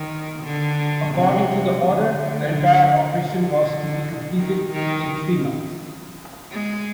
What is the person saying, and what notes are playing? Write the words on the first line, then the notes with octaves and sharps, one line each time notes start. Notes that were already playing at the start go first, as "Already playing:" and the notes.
According to the Order, the entire operation was to be completed in three months.
Already playing: D#3
D3
C3
D3
D3
D#3
D#3
G#3